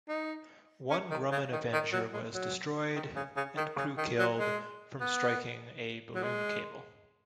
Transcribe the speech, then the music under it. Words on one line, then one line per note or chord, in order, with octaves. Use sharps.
One Grumman Avenger was destroyed, and crew killed, from striking a balloon cable.
D#4
C#4
D#3
C#3
D#3
D#3
F#3
G#3
F#3
D#3
C#3
C#3
D#3
C#3
D#3
F#3
G#3
B3
F#3
G#3